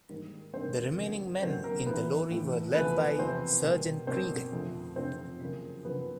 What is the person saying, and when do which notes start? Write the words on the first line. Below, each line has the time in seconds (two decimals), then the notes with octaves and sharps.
The remaining men in the lorry were led by Sergeant Creegan.
0.09 G#2 D#3 G3 A#3
0.54 G#2 D#3 G3 A#3 C4 C5
0.98 F#2 D3 F#3 A#3
1.42 F#2 D3 F#3 A#3 C4 C5
1.64 A#3 A#4
1.86 A2 E3 A3 B3 B4
2.31 A2 E3 A3
2.75 E2 C3 F3 A3 B3 B4
3.19 E2 C3 F3 A3 C4 C5
3.63 B2 G3 A#3
4.07 B2 G3 A#3 C4 C5
4.52 F2 D3 F3 A3
4.96 F2 D3 F3 A3 C4 C5
5.41 F#2 C#3 F3 A#3
5.85 F#2 C#3 F3 A#3 B3 B4